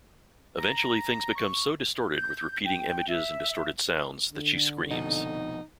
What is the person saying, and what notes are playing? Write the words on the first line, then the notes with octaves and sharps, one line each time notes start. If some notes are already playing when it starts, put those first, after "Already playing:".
Eventually things become so distorted with repeating images and disorted sounds that she screams.
A#5
C#6
G6
G5
E5
D3
F1 F2 B2 D#4